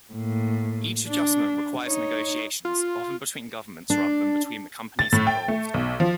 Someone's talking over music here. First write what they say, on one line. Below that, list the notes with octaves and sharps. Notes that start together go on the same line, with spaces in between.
Each adjustment requires negotiations, often between governments rather than between the companies involved.
A2 A#3
D4
D#4 C#5
F4
D4
A6
A2
G5
A3
B1
F3